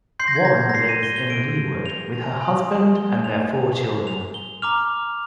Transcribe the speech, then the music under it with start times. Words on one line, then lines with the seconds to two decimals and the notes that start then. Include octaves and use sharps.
Warren lives in Leawood with her husband and their four children.
0.19 C6 G6 C7
0.28 A#6
0.36 G#6
0.45 A#6
0.69 A#6
0.75 C7
0.89 D#7
1.03 G7
1.16 G7
1.30 D7
1.86 F7
2.41 G#5 C6 D#6
2.96 G7
3.24 F7
4.07 F7
4.34 G7
4.62 A#5 D6 F6 F7